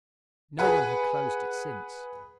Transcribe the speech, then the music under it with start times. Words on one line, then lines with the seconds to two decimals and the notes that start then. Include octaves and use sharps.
No one had closed it since.
0.59 G#4 B4 F#5